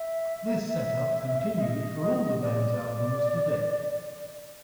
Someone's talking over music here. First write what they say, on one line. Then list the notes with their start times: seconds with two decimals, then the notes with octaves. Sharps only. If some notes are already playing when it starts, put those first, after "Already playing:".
This set-up continued for all the band's albums to date.
Already playing: E5
0.69 E5
1.56 E5
1.60 D#5
2.42 D5